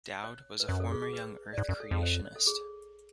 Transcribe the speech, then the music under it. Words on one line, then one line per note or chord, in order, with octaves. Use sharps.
Dowd was a former young earth creationist.
C#5
B4
F#2 C#5
A4
G#4
G#4
B4
D5
G#2 C#5
F#2
A4
F2 A4
C#5
C#5
C#5
A4
G#4